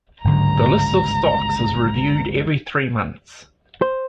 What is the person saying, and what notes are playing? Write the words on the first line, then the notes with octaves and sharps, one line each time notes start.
The list of stocks is reviewed every three months.
G1 C#2 G#2 D3 F#3 A#5
C5